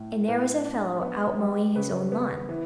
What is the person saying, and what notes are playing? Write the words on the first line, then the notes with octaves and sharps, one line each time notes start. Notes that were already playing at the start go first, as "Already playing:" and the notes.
And there was a fellow out mowing his own lawn.
Already playing: A2
A2 B4
D4
B3
G3
C#3 B4
B3
E3